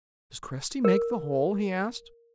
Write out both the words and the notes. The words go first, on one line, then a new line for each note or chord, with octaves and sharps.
"Does Cresty make the hole?" he asked.
A#4